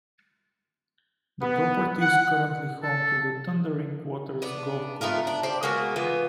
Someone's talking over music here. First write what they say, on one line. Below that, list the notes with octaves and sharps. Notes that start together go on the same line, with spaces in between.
The property is currently home to the Thundering Waters Golf Course.
B3
F#5
A4
B3 D4
A3 B3 F4 A#4
D4
G4 C5 D5
G#3 A#3 B3 F#4
E3 B3 F4